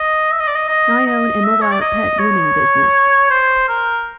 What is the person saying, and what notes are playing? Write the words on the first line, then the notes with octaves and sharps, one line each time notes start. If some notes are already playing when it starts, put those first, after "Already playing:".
I own a mobile pet grooming business.
Already playing: D#5
E5
D#5
D5
D#5
D#5
D#5
E5
C#5
D5
D#5
C#5
C5
A#4